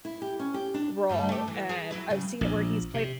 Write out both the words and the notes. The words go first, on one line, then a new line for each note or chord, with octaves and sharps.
role, and I've seen it where he's played
E4
G4
C#4
G4
D4
G2 G3 A3
A3 G4
E3
G#4
F#3 E4 B4
C#3 G3
A#1
C3